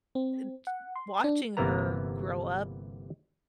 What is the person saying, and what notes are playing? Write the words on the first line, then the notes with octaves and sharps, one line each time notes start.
and ch watching her grow up
C4
F#5
C6
D4
G1 C3 E3 A#3 B3 A#5